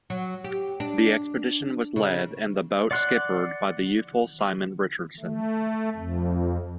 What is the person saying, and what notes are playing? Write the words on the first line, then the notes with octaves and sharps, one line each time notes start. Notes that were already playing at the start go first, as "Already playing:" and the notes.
The expedition was led, and the boat skippered, by the youthful Simon Richardson.
F#3
G4
D4
C#3
D5 F#5 C6 F#6
A3
F2